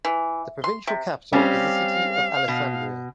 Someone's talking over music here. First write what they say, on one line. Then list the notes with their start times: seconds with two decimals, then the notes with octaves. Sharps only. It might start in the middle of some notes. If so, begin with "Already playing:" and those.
The provincial capital is the city of Alessandria.
0.05 E3
0.64 C6
0.87 C3
1.33 G3 C4 C#4 F5
2.48 B2